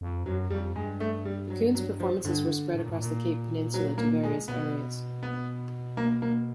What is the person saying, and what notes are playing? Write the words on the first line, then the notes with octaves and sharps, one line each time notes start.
The Coons performances were spread across the Cape Peninsula to various areas.
F2
F#2 F#3
F2 G3
G2 G#3
A3
G3
F#3
F#3
F3
G2 D3
A2
A#2
A2
A#2
F#3
A#3
G#3
B2 B3
B3
A#3
A#3